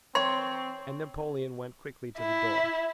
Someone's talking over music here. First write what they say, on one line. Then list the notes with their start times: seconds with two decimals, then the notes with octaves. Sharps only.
And Napoleon went quickly to the door.
0.15 C4 C#5 C6
2.19 E4